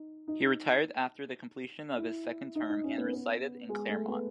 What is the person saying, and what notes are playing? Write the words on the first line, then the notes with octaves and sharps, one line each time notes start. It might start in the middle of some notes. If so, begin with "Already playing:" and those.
He retired after the completion of his second term, and resided in Claremont.
Already playing: D#4
D#4
E4
D#4
D#4
C#4
B3
B3
G#3
A3
B3